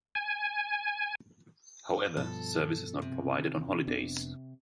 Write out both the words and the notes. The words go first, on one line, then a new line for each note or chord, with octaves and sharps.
However, service is not provided on holidays.
G#5
G2 B2 F3 A4
C3
F1 B3 D4